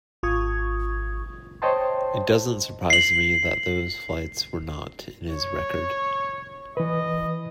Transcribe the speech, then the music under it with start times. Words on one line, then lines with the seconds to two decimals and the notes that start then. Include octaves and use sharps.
It doesn't surprise me that those flights were not in his record.
0.23 G#1 F4 C#6 D#6 G#6
1.62 C5 C#5 D#5 G5 A5 C6
2.90 C7 F#7
5.31 C#5
6.77 E3 B4 D#5